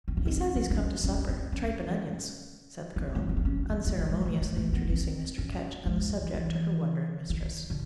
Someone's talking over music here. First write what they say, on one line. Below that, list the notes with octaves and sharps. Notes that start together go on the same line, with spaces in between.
"He says he's come to supper: tripe and onions," said the girl, unceremoniously introducing Mr. Ketch and the subject to her wondering mistress.
C4
C#4
C4
C#4
C#4
C#4
C4
C#4
C4
A3
A#3
B3
C4
C#4
B3
A#3
A3
G#3
A3
A3
A3
B3
C4
C#4
G#3
F#3
E3
D#3
D3